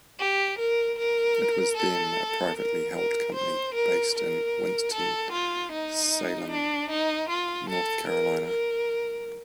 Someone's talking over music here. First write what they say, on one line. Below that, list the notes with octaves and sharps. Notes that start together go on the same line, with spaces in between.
It was then a privately held company based in Winston-Salem, North Carolina.
G4
A#4
A#4
A4
A#4
A#4
C5
A#4
A#4
A4
F4
D#4
D4
D#4
F4
A4
A#4
A#4